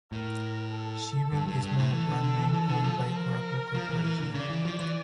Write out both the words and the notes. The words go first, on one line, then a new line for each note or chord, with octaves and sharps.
Siebel is now a brand name owned by Oracle Corporation.
A2 A#4
A4
G2
G2
G2
A2
E3 A4
D3
D3
E3
E3
D3
F3
F3
A#4
F3
E3
E3
D3
C#3 D5
E3
F3
E3